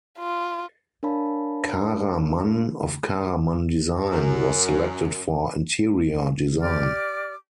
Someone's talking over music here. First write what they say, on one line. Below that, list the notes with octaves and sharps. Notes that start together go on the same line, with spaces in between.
Kara Mann of Kara Mann Design was selected for interior design.
F4
D4 A#4 C#5 F5 A5 B5
F#2
G4 D5 D6 F6